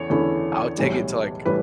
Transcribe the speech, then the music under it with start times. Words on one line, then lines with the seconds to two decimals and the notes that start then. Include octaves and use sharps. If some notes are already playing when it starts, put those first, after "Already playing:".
I'll take it to, like,
Already playing: E2 A3 C#4 E4 C#5
0.10 E2 D3 A3 C#4 E4
0.78 B1 A2 E3 G3
1.45 A2 E3 G3 B4